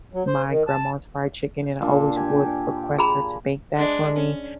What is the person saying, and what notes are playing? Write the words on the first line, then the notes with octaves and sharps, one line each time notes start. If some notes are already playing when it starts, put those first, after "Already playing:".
my grandma's fried chicken, and I always would request her to make that for me
F#3
C5
D#3
A5
A#2 D4
G4 G#5
G#4 A#5 B5
G#3 D4
C#4